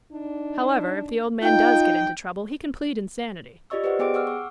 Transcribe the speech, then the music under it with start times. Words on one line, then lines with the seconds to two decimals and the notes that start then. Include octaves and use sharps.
However, if the old man does get into trouble he can plead insanity.
0.11 D4 D#4
1.42 D#4 F4 G5
3.70 F4 G4 D5 D#5 C#6 E6
3.84 G4 B4 C5 D5 D#5 F#5
3.99 B3 G#4 G5 D6 D7
4.14 F#5 C#6 D6 E6 F6
4.27 C#6